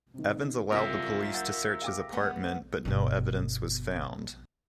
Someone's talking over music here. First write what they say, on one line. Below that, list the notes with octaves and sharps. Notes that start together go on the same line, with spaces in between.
Evans allowed the police to search his apartment but no evidence was found.
C3 D#3
C2 C#3 G3 F4 A#4 E5
F#5 G6 A6
F5 G5 D6
A3 B3 F#5
G1 B2